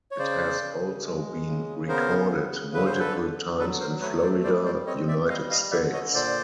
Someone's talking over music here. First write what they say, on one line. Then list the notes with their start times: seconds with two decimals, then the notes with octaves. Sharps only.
It has also been recorded multiple times in Florida, United States.
0.11 C#5
0.18 C#3 C5 D5
0.61 C#3
1.04 G#3
1.46 C#3
1.89 B3 A#4 C5
2.32 C#3
2.74 D3 B4
2.86 C5
2.99 A4 B4
3.16 D3
3.59 F#3 A4 B4
3.80 A#4 C5
4.01 A3 B4 C#5
4.19 C#5
4.22 C5 D5
4.44 G3 C5 D5
4.65 C5 D5
4.86 C4 C#5 D#5
5.08 D5 E5
5.29 G3 D#5 F5
5.51 D#5 F5
5.71 D3 D5 E5
5.93 C#5 D#5
6.14 A#2 C5 D5